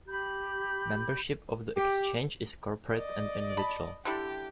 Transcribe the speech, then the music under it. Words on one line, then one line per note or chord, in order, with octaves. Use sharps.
Membership of the Exchange is corporate and individual.
G4 B5 G6
G4
D5 D#5
A5 B5
D3 G3 E4 G4